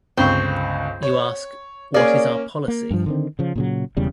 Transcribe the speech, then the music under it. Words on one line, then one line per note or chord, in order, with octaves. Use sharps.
You ask, what is our policy?
G1 C#2 C4 C#6
C#5
A#3 C#4 G#4 D5
A#3
G2 F3
D3 D#3 C4
C#3 F3
A#2 C#3 F#3
E1 E2 C#3 G3